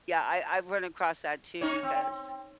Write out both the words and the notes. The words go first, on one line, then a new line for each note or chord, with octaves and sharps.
Yeah, I I've run across that too because,
C#4 D#4 C#5
C4